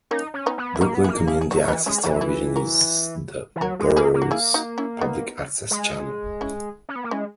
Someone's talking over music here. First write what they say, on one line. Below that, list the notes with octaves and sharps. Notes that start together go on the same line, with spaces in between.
Brooklyn Community Access Television is the borough's public access channel.
A#3 C#4 D#4
C#4
B3 D#4
B3
E4
A#3 D#4 F#4
B3
E4 G#4
A#3
E4 G#4
G#4
F#3 D#4 F#4
F#3
E3 B3 D#4
G#3 C#4 E4
G#4
E3 D#4 F#4
E4 G#4
F#4 A#4
E3
F#3 F#4 A#4
G#3
A#3 G#4 B4
A#3
F#4
E4 G#4
D#4 F#4
C#4 E4
B3 D#4
G#3
C#4 E4
C#4
B3
A#3
G#3 C#4 E4